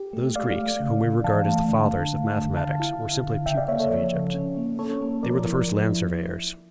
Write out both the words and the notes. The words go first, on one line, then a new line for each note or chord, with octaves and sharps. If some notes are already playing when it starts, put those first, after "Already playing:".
Those Greeks whom we regard as the fathers of mathematics were simply pupils of Egypt. They were the first land-surveyors.
Already playing: G4
A3
A3 D5 F5
A3
C#3
C#3
E3 F5 A5
A3
D3
D3
A3
D3
D3 F5 A5
E4
E4
D3
C#3 E5 G5
D5 F5
A#3 C#5 E5
A4 C#5
F3
C#3
C#4
A#3
C#4 A4 C#5
A#3
F3 A#4 D5
E4
F3
E4